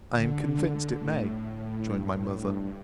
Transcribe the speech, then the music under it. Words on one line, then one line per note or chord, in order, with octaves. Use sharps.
I am convinced it may, joined my mother.
D3
D3
D3
A2
A2
G2
A2
G2